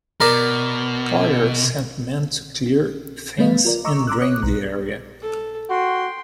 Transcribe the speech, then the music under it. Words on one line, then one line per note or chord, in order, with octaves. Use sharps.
Porter sent men to clear, fence and drain the area.
B2 A#4 D5
G3 A3 B3 B4 D#5 F5
F4 A#4 D5
D#5 A#5 C#6 D6 E6
A#5 C6 D6 E6 F#6
C#5 D6 D#6 F#6
B1 A#5 F#6
A4
F#4 G5 C6